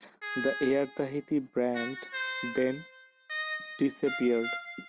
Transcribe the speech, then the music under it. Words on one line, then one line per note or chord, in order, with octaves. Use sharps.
The Air Tahiti brand then disappeared.
G#4
F#4
C5
D#5
F5
F5